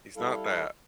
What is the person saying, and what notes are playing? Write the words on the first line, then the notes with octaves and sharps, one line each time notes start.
He's not that
G3 E4 A4 F5